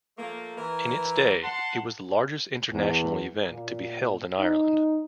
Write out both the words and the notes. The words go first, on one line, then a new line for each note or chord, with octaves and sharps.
In its day, it was the largest international event to be held in Ireland.
F3 A3 A#3
E3 A#4
F#5 A5 C6
E2
A#2
D#4